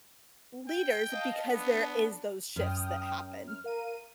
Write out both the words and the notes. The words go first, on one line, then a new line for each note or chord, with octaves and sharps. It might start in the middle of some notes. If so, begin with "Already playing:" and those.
leaders because there is those shifts that happen.
G5
D#5 F5 A5
B3 D4
F#2 G5 D#6 F6
F6
A#4 F5 D#7